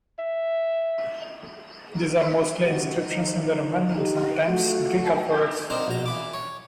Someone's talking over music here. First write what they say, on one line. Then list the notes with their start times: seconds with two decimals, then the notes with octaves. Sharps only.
These are mostly inscriptions in the Roman and sometimes Greek alphabets.
0.19 E5
2.65 C#2 F#2 D#3 F#4 G4
3.00 D#3 F3 D#4
3.96 A#1 D#4 G4
4.47 A3 F4 F#4
5.70 C4 D4 D#4 A#4
5.87 A#1 B2 A#5
6.06 E3 B5 D6
6.34 C#5